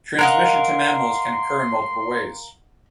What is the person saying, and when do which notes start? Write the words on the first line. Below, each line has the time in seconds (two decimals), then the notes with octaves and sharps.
Transmission to mammals can occur in multiple ways.
0.19 A#4 D#5 F5 F#5 C6 F#6